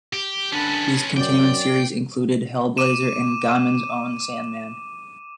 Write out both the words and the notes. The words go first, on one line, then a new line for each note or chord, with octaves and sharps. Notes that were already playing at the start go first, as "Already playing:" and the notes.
These continuing series' included "Hellblazer" and Gaiman's own "The Sandman".
G4
D3 C#4 B4 A5
F#2 D5 G5
D6 D#7 E7